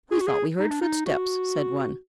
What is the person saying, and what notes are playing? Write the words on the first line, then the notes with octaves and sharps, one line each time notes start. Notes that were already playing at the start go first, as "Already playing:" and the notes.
"We thought we heard footsteps," said one.
G#4
F#4
G#4
D#4
D4
D#4
F#4